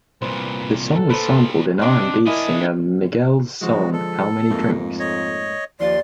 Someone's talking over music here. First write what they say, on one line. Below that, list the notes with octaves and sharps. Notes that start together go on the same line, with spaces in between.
The song was sampled in R and B singer Miguel's song How Many Drinks?
C2 A#2 B4 C5
A4
A#2 F3 B4 C5
C3 C4 D4 D#5
D4 E4 A#4 D#5 G#5 A5
D3 F3 G#3 F#4
A4
F2 G#2 A3 A#3
C#5 D#5
D#2 F3 F4 D5 C6